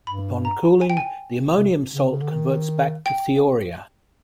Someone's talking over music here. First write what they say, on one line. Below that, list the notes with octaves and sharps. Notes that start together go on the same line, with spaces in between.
Upon cooling, the ammonium salt converts back to thiourea.
G2 B5
A#5
G#5
G5
G#5
C3
C#3
C#3
D3
D#3
G5